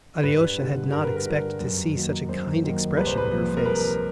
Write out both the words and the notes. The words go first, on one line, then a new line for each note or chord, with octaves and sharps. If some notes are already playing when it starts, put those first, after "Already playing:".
Alyosha had not expected to see such a kind expression in her face....
G2 B4
D3 G3
G2 A#4
B4
A#4
D3 G3
F#2
D#3 F#3 A#3
F#2 C5
D#3 F#3 A#3
C2 B4
C5
B4
A#2 F3
A#4
C2 B4